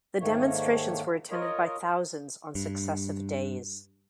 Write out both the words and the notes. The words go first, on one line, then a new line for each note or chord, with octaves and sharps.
The demonstrations were attended by thousands on successive days.
G#2 D#3 A3 A#3 C#5
F4 A#4 C#5 D#5
G2